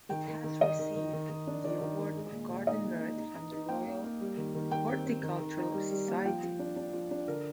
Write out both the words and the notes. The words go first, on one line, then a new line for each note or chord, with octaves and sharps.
It has received the Award of Garden Merit from the Royal Horticultural Society.
D#3 G5
D#3
D#3
D#3 D#5
D#3
D#3
D#3
D#3
D4
D#3 D5
D#3
D#3
G#3
A#2
A#2
D#4 D#5
A#2
D#4
D#4
D#4
D#4
A#3 G5
A#3
A#3
G3
D#3
D#3
D#3 G5
C4
C4
D#3
D#3
D#4
G3
G3
A#3
F3 G5
F3
D4
D4
F3
D4
D3 A#4